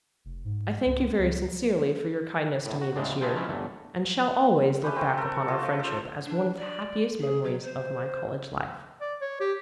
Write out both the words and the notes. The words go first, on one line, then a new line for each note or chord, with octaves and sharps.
I thank you very sincerely for your kindness to me this year, and shall always look back upon our friendship as one of the happiest memories of my college life.
F1
G#2
C#2
C#2
E2 A2
F#4
D2 A2 C#3 G#3 C4 D4
A3 B3 F4 G#4 C5 G5
F3 F#3 G#3 C#4 E4
G1 E2 A3
A3 C#4 G4 B4
C4 F#4
A4 A#4
F4 F#4 A4
F3 A3
A4 C5
D4
D5
G#4
F#3
C5
D5
C#5
G4